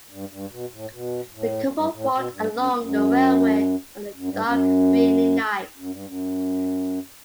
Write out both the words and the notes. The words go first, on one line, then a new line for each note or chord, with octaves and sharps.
The couple walked along the railway on a dark rainy night.
G2
G2
B2
A2
B2
A2
F#2
G2
A2
B2
G2
F#2
F#2
F#2
G2
F#2
F#2
G2
F#2